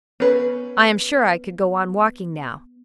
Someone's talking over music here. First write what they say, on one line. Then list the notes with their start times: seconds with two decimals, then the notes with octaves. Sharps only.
I am sure I could go on walking now.
0.20 B3 C#4 B4